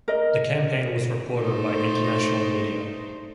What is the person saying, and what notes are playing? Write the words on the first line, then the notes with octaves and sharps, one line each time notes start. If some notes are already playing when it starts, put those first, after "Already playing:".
The campaign was reported by international media.
A#4 D#5
A3 D#4 C5